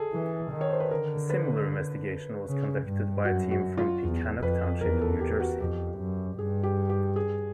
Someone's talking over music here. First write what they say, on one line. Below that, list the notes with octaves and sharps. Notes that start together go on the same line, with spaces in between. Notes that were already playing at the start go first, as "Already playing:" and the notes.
A similar investigation was conducted by a team from Pequannock Township, New Jersey.
Already playing: G#4 A4
E3
D#3
C#5
C5
B4
D3 A#4
B4
C#3
G2
F#2 F#4
F#4
F4
E2
F2 B4
E2 A#4
A4
G4
F#4
F2 G4
F#2
G2 G#4
G4
G4
G#4